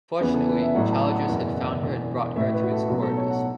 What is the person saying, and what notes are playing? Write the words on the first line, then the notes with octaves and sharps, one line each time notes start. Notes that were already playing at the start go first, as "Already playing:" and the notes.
Fortunately, Childress had found her and brought her to his quarters.
E2 C#3 E3 B3 E4 B4
A4
B4
E5
A1 A2 F#3 A3 F#5
A5
F#5
F#1 E2 B2 B3 E4
E1 E2 B2
A1 A2 A3 E5
B4
F#4
A4
B1 B2 F#3 F#4
A4
C#5
F#5